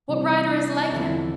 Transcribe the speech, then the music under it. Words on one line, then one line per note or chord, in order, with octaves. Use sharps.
What rider is like him?
C3 E3 G3 C4 E4
D4
E2 D3 F3 C4 E4 F4